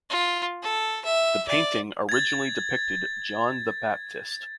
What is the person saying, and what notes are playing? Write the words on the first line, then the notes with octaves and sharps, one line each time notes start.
The painting originally depicted John the Baptist.
F4
A4
E5
D5
G#6 A6